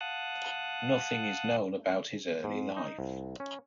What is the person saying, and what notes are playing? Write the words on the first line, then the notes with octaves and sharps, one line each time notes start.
Nothing is known about his early life.
F5 F#5 A5 D#6 F#6
G#2
D#4
C2
C#4